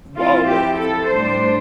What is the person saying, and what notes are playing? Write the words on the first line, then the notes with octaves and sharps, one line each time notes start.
W oh, way after. Yeah.
F3 C4 E4 F4
G4
A4
A2 G3 D4 C5